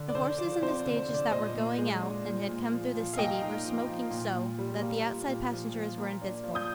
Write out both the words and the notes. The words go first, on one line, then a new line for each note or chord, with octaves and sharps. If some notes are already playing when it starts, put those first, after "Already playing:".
The horses in the stages that were going out, and had come through the city, were smoking so, that the outside passengers were invisible.
Already playing: D3
D5
D3 C5
F3 D5
C4 C5
D5
D3
C5
D3
D5
A#2 C5 D#5
A#2
G#3
D4
A#2
A#2
F3
F3
F5
A#3 D#5 G5
D#4
F3
F3
A#2
A#2
G3
A#3
A#2
A#2
F3
F3
A#3
D4
F3
D#6 G6